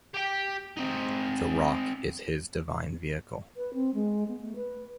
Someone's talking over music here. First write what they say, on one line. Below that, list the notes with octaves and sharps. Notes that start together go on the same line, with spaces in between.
The rock is his divine vehicle.
G4 G5
C4 D#4
B4
C4
G#3
B3
A3
B4